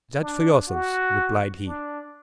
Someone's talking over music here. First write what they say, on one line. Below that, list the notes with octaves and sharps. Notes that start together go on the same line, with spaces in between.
"Judge for yourself," replied he.
D4
F#4
D4